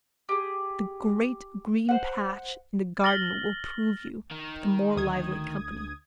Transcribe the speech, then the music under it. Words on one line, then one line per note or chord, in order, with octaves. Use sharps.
The great green patch in the garden will prove you with a more lively company.'
G4 G#4
C5 F#5
F6 A6 A#6 F#7 G7
D#3
D2 D#6 G#6